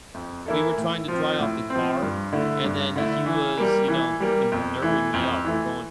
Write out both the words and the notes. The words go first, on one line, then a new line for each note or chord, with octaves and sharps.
we were trying to dry off the car, and then he was, you know, nerving me up going,
F2
E3 A#3 E4 A4
A2
F3
C4
A2
F3 C4
G2
D3 A3 E4
G2
D3 A3 E4
E3
G3 A#3
E3
G3 A#3
F2
E3 A3
F2
E3 A3